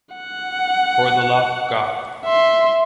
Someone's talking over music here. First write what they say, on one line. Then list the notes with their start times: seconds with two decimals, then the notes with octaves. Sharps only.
For the love of God.
0.15 F#5
2.25 E5 C6